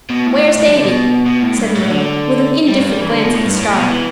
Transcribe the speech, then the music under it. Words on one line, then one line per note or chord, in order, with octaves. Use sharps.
"Where's Davy?" said Marilla, with an indifferent glance at the star.
B2
A2
A2
G3
D3
B2
B2
A2
G2
A2
D3
G3
G2
G3
E3
D3
B2
A2
G2
A2
B2
E3